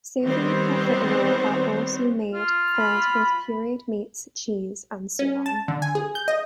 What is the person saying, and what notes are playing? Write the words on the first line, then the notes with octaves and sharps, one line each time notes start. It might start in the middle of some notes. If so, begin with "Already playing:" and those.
Savory profiterole are also made, filled with pureed meats, cheese, and so on.
D#3 G3 B3 C4 C5 C#5
F4
B5
C#4
A5
D3
G#5
G#4
G6
D#5